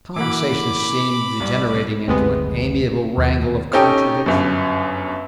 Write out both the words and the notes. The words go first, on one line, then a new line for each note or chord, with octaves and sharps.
The conversation seemed degenerating into an amiable wrangle of contradiction.
E3 A#3 F#4 B5 D6
C2
F#1 D2 C3 G#3 B3 C4
D#2
C#4 D#4 G4 A4 G5
G1 F#2